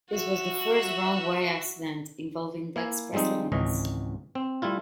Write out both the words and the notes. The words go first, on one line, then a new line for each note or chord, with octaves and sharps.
This was the first wrong-way accident involving the express lanes.
F#4 E5
A#3 E4 G#5
F3 G3 G#3 C4 D#4
G#1 C#2 E3 C#4 D#5
C4
G3 A3 E4 F4